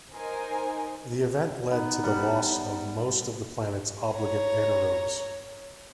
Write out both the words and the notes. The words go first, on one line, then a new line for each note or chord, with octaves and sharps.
The event led to the loss of most of the planet's obligate anaerobes.
D#4 A#4 C5 G#5
B3 D#4
G3 F#5
C#5 A#5